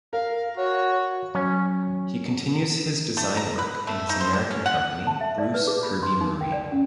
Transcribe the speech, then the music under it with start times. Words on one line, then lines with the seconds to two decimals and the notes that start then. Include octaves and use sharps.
He continues his design work in his American company, Bruce Kirby Marine.
0.13 A#4 F5
0.57 F#4 C#5
1.35 F#3 C#4
3.17 A3
3.37 A#5
3.59 B4
3.87 A3
4.09 D#4
4.21 C5
4.33 C3
4.51 C#4
4.66 F#5
5.07 A5
5.21 E5
5.38 D5
5.54 B4
5.68 G#4
5.83 B5
6.03 C6
6.21 D#4
6.41 G5
6.52 D5
6.72 C#4